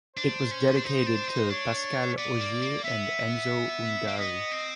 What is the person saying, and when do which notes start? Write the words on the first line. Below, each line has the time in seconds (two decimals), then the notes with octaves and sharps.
It was dedicated to Pascale Ogier and Enzo Ungari.
0.16 D4 C5
0.51 C#4
0.77 D4
0.84 D#4 C5
1.07 D4
1.28 D#4
1.50 D4 C#5
2.17 B3 D5
2.40 A#3
2.62 A#3
2.84 B3 E5
4.08 A#3
4.18 B3 D#5
4.51 C4